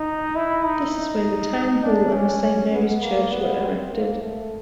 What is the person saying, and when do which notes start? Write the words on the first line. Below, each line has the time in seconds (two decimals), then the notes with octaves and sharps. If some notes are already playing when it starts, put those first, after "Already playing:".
This is where the town hall and the Saint Mary's Church were erected.
Already playing: D#4
0.36 E4
0.65 D#4
1.84 D4
2.13 C#4
2.43 C#4
2.72 B3
3.03 A#3
3.32 B3
3.61 C4
3.92 A#3
4.21 A3